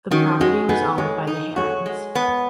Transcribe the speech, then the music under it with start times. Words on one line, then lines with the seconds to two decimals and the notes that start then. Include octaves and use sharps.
The property was owned by the Herons.
0.11 D#3 C#4 F#4
0.40 G#3 C#4 F#4
0.69 B3 D#4 G#4
0.98 G#3 G#4 C#5
1.27 D#4
1.56 F#4 G#4 C#5
1.86 G#3
2.15 B3